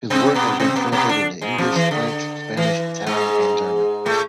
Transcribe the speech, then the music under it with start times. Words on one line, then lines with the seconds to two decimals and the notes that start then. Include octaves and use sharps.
His work has been translated into English, French, Spanish, Italian and German.
0.10 C3 C4
0.34 B2 B3
0.60 C3 C4
0.76 B2 B3
0.92 B2 B3
1.09 D3 D4
1.41 G#2 G#3
1.58 F2 F3
1.76 E3
1.91 D3
2.57 E3
3.07 G#2 G#3
4.06 A2 A3